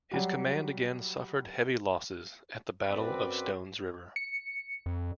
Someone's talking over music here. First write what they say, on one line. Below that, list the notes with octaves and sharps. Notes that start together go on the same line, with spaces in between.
His command again suffered heavy losses at the Battle of Stones River.
F#3 G3 F#4
F#2 C4 B4 D5
C#7
F2